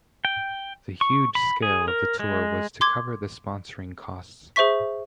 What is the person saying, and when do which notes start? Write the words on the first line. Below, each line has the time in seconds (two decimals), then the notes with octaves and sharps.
The huge scale of the tour was to cover the sponsoring costs.
0.25 G5
1.01 C#6
1.35 B5
1.62 G#4
1.88 A#4
2.19 G#3
2.81 C6 D6 G#6
4.56 G#4 C5 E5 C#6 B6